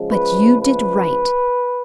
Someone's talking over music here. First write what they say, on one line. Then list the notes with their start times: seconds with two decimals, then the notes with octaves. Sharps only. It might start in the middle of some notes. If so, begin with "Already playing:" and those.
But you did right.
Already playing: C#3 F3 G#3
0.10 B4
0.63 B4